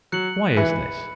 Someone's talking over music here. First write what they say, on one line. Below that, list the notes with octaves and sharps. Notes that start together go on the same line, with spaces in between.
Why is this?
F#3 F#6 C#7 F#7
E3 B5 F#6 C#7